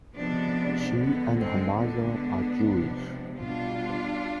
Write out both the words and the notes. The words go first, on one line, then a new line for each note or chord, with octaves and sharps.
She and her mother are Jewish.
C3 F3 G#3 B3 D4
D3 G#3 B3
G#3 C4
D3 G#3 B3 D4
C3 F3 G#3
B2 G3 D4 F4